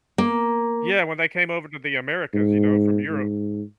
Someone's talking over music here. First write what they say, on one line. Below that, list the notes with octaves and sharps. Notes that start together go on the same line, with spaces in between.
Yeah, when they came over to the Americas, you know, from Europe,
A#3
G#2
G#2